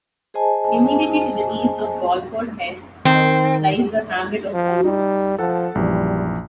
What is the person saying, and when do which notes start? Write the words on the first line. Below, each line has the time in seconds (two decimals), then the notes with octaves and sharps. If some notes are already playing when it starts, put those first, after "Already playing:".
Immediately to the east of Walford Heath lies the hamlet of Old Woods.
0.34 G#4 C5 D#5 G#5 A5
3.05 D#3 C4
4.54 F3
4.84 G3 D#4
5.38 F3 A4 F#5 A5
5.75 A#1 F#2 E3 G3